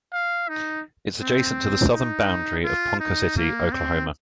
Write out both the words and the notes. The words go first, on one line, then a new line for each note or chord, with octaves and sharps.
It is adjacent to the southern boundary of Ponca City, Oklahoma.
F5
D#4
C4
D#4
F4
D#4
A#3
C4